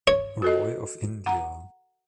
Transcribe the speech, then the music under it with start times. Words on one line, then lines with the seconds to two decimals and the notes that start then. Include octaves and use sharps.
Roy of India.
0.07 C#5
0.42 F#4 A4 D#5
1.26 F#5 A#5